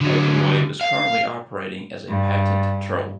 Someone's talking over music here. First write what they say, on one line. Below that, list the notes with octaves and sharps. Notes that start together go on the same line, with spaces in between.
Openwave is currently operating as a patent troll.
D3 F#3
F5
G2